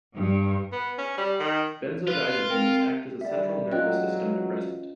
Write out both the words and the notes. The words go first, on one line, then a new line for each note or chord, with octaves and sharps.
Benzodiazepines act as a central nervous system depressant.
G2
B3
C#4
G3
D#3
F4 B4
C4 A#4 G5
G3 D5 E5
E3 F#3 C#4 F4 D#5 G5 F#6